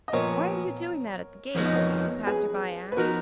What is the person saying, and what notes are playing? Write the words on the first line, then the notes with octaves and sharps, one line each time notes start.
"Why are you doing that at the gate?" a passer-by asked.
D#5
A#2 F3 B3 A#4 C#5
F2 F3 B3 D#4 C#5
D#5
A#4 C#5
G#4 B4
B4
F3 B3 D#4 F#4 A#4